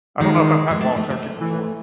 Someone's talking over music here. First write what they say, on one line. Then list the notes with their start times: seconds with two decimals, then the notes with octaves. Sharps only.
I don't know if I've had wild turkey before.
0.20 D#3 G#3
0.71 G#3
0.81 A3
0.96 A3
1.10 A3
1.41 E3